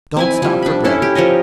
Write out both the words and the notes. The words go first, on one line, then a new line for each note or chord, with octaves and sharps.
Don’t stop for breath.
C4 E4 G#5
F3 G3
D4 B5
C#4 E4 A4
G4
F3 A#4 C#5 D#5